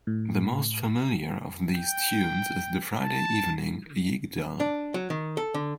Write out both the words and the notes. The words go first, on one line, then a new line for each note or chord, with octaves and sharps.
The most familiar of these tunes is the Friday evening "Yigdal".
A2
G5
A5
D4
F#3
D#3
A4
D3